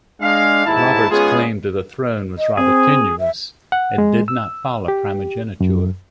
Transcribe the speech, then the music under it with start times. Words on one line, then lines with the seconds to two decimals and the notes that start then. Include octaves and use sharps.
Robert's claim to the throne was rather tenuous and did not follow primogeniture.
0.21 G#3 D4 F5
0.66 D#2 G#2 E4 A5
1.11 G#3 B3 C#4 F4 G#4
2.38 D#5
2.57 C4 G#4
3.20 E5
3.72 F#5
3.98 G#3
4.28 E6
4.88 G4
5.60 F#2